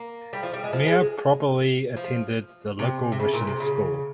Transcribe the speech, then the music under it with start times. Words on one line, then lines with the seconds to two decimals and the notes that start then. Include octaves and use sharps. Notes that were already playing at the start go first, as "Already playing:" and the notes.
Mere probably attended the local mission school.
Already playing: A#3
0.33 G3
0.43 F3
0.53 G3
0.64 G#3
0.73 F3
0.87 G#3
1.96 F3
2.79 C3
3.12 C3
3.20 C#3
3.33 A#2
3.47 C3
3.60 C#3